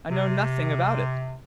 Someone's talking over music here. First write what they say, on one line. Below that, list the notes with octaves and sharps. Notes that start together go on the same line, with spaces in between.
"I know nothing about it."
C3